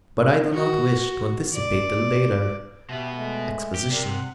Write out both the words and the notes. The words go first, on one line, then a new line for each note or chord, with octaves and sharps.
But I do not wish to anticipate the later exposition.
F#4
D5
B2 B3 G4 E5
G#3 A3
G4
C3 G4 A#4 D5
F#5